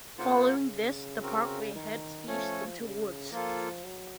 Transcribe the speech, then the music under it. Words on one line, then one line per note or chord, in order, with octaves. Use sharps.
Following this, the parkway heads east into woods.
C#3 A#3 F4 C5 F#5
C4 F#4 A#4
D#3
F3 A3 C#4 A4 C#5
C#3
F3 A#3 F4 A4
F#3